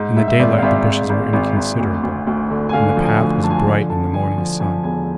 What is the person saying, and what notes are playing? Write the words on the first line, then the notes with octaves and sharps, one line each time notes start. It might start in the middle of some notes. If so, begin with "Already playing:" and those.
In the daylight the bushes were inconsiderable and the path was bright in the morning sun.
Already playing: G#2
G#2 E5
E5
G#1 D5
F5
G#1 E5
G#1
G#1
G#1
G#1
D2
D2
D2
D3
G#5
D3 F5
F3
G#5
D2
F3 A5
G#5
A5
D3 G#5
D3 A5
D3 G#5
F3
F3 G#5
E1 G#5